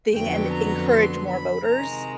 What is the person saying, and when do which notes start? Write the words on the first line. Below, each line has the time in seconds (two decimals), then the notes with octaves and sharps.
thing and encourage more voters
0.14 F2 D3 F#3 B3 G5
0.52 A#5
0.89 C6
1.27 B5
1.65 C3 D#3 G#3 A#5